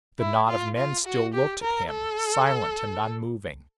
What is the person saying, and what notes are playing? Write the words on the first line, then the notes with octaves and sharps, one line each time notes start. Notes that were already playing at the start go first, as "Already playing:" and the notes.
The knot of men still looked at him, silent and unmoving.
E4
F4
F4
F#4
G4
A#4
A4